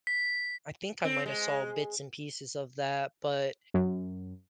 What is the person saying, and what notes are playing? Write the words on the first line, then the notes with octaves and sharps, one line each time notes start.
"I think I might have saw bits and pieces of that." But
B6
C4
G#3
F#2